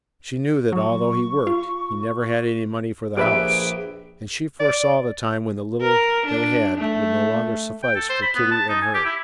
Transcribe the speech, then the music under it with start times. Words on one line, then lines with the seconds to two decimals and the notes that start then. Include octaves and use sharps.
She knew that although he worked he never had any money for the house, and she foresaw the time when the little they had would no longer suffice for Kitty and her.
0.72 F#3 C#6
1.47 F4
3.17 A#1 G4 G#4 B4 E5 D7
4.60 D5
5.82 A#4
6.26 D4
6.77 A3
7.83 G5
7.95 A4
8.09 C5
8.22 B5
8.36 B3
8.51 A5
8.69 D#4
8.82 G#5
8.94 G4
9.05 E4